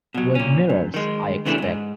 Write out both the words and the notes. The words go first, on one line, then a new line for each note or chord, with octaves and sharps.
With mirrors, I expect.
B2 F#3
A#2 C#4
F#2
D#3 G#3
C#3 E3 A3 C4 D4
F2 G#2